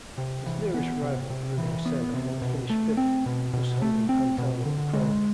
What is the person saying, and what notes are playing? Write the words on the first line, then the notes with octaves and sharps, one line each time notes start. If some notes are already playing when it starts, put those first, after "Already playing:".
His nearest rival Bruno Senna only finished fifth, thus handing Pantano the crown.
C3
E3
B3
C3
C3
E3
B3
C3
B2
A3
C4
B2
B2
A3
C4
B2
D3
G#3